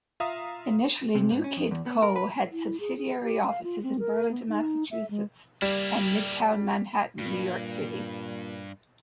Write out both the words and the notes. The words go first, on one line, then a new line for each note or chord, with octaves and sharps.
Initially NewKidCo had subsidiary offices in Burlington, Massachusetts and Midtown Manhattan, New York City.
F4 E5 F5 A#5 D#6
C3
G#2
C#4
F2
E2
B3
A#4
B4
E4
G#4
G#4
G4
F5
F4
C4
A#4
B3
D#4
E5
G#3
G3 A#3 E4
G2 A#2